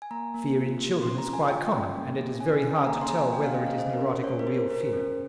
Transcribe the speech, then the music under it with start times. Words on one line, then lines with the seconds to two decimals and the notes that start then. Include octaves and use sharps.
Fear in children is quite common and it is very hard to tell whether it is neurotic or real fear.
0.02 G#5
0.11 A#3 A#5
0.34 A#3
0.57 F4
0.80 A#3
1.02 C#4 C6
1.18 A#5
1.25 F4
1.33 G#5
1.48 F4 G5
1.72 C#4
1.94 A#3
2.17 G#4
2.40 C#4 G#5
2.64 C#4
2.76 G#5
2.86 A#3 A#5
3.01 C6
3.09 G#4 A#5
3.17 G#5
3.32 A#3 G5
3.44 F5
3.55 C#4 D#5
3.66 F5
3.78 G#4 C5
3.93 A#4
4.01 C#4
4.15 C5
4.24 C#4 C#5
4.39 A#4
4.47 G#4
4.54 C5
4.70 G#4 A#4
4.81 A#4
4.85 C5
4.93 C#4